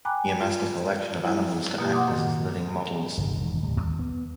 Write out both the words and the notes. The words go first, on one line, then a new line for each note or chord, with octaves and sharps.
He amassed a collection of animals to act as his living models.
G5 G#5 A#5 B5 D6 F#6
F4
E4
B2 A#3 G4
F#5 C6 D6 D#6
F#2 A2 D#3
G1 C3 D#3
E1 D#3
D1 G3
D#2
B3